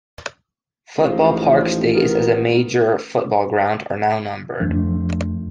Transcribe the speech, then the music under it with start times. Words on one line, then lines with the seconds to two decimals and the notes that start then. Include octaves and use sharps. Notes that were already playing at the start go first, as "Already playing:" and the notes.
Football Park's days as a major football ground are now numbered.
0.97 A1 G#2 F3
1.94 D#3 B3 A#4
4.60 F2 F3 A3 D4